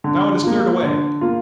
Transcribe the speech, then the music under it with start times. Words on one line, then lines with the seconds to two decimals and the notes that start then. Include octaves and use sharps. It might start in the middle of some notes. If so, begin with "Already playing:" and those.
Now it has cleared away!
0.04 D3
0.43 A#3 F4
0.83 D3
1.21 A#3 F4